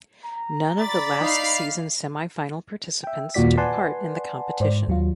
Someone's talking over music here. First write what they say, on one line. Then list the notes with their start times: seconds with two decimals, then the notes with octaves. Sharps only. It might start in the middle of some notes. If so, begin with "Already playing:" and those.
None of the last season semifinal participants took part in the competition.
0.25 A#5
0.79 D5 B5 A6
1.21 D#4 F5 C7
3.04 E5 G5
3.34 D#2 A#2 F4 F#4 D5 B6
3.58 B4 D5 F#5 G#5 A5 C6
4.60 G#2 C5 D5
4.88 D#2 F#3 F4